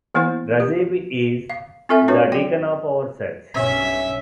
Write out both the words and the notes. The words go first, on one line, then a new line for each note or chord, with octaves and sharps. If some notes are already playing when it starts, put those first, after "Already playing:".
Rajib is the deacon of our church.
E3 A#3 B3 E4 C5
G4
F5
C4 F4 A4 E5 G#5
D4 F4 F#4 B4 C#5
F#3 D5 G5
B1 G2 C#4 E5